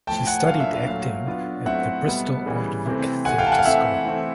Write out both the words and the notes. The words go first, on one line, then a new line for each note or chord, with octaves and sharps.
She studied acting at the Bristol Old Vic Theatre School.
A2 F3 A3 G5 A5
F#5 G#5
A2 F#3 A#3 D4 F4 F5
E5
F5
A#2 F#3 A3 F5
F#3 B3 D4 F4
A2 F#3 A3 C4 E4 E5 F#5
B2 G3 B3
C#3 E3 G3
C3 E3 A3 C4
C3 E3 A3 F#5 G#5
F5 G5
A5
F#5 G#5
F5
E3 A3 C4 E5 F#5
E3 A3 C4 E4